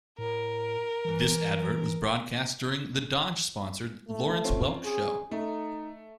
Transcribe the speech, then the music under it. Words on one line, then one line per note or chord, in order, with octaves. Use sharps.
This advert was broadcast during the Dodge-sponsored "Lawrence Welk Show".
A2 A#4
E3
A3
C4 C#4 F4
G#4
A3 D#4